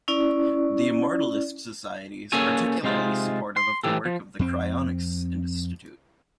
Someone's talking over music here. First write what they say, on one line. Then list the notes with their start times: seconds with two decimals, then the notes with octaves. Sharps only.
The Immortalist Society is particularly supportive of the work of the Cryonics Institute.
0.08 C#4 E4 D5
2.32 A#3 C#4 G#4 A4 C#5 G#5
2.83 C3 G#3 D#4 F4
3.56 C6
3.83 A2 E3 G4 A4
4.05 F3
4.39 F2 C4